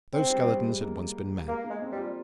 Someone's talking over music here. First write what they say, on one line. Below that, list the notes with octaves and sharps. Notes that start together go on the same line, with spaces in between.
Those skeletons had once been men.
G#3 C4
G3
G3
G#3
A#3
G#3 A#3
A#3
G#3
C4
G3
F4